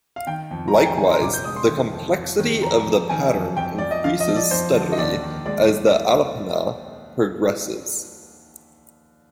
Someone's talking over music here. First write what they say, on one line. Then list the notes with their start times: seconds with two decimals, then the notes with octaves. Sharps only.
Likewise, the complexity of the patterns increases steadily as the alapana progresses.
0.16 F5
0.27 D#3 G5
0.51 F2
0.68 A#5
0.74 D#3 G#5
0.85 G5
0.97 D#3 G#5
1.05 C6
1.10 A#5
1.21 F1 D6
1.33 G6
1.44 G#3 D#6
1.56 C6
1.68 D#3
1.92 F2
2.16 F2
2.39 D#3
2.62 F2 A#5
2.86 F2
3.09 D#3 G#5
3.34 F2
3.57 F2 G5
3.78 F2 D5
3.91 D#5
4.04 F3 F5
4.20 D#5
4.28 F3
4.36 D5
4.51 F2 C5
4.75 D3
4.92 D#5
4.98 D#2 D5
5.23 D#3
5.46 G#3 D5